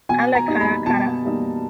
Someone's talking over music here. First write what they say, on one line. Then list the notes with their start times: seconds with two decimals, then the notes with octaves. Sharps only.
Ale kara kara.
0.09 B2 G#5
0.35 A#5
0.48 G3 A#3 D#4
0.61 B5
0.86 B2 A5
1.25 G3 A#3 D#4